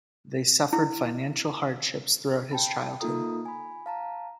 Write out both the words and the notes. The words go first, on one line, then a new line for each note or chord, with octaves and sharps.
They suffered financial hardships throughout his childhood.
E4
G5 A5 B5
A#3 D#4 F4 A4 A#5 D#6
G#5 B5
F5 A5 A#5